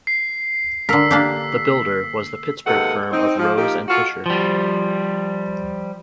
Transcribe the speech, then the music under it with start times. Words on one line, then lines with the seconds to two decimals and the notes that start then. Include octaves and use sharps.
The builder was the Pittsburgh firm of Rose and Fisher.
0.07 C7
0.89 D3 A#4 E6 B6
1.11 A#3 D4 G4
2.65 D#2 C3 G#3 B3 A4 F#5
3.11 C4 D#4
3.38 F3
3.56 F3 A#3 D#4 G4
3.89 F4 F#4 A4
4.26 F3 G3